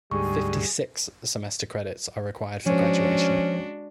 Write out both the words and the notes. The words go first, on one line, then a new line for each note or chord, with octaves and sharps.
Fifty-six semester credits are required for graduation.
D2 G#2 G3 G#4 G#5 C#6
F3 G#3 C#4 D4 F#4 C5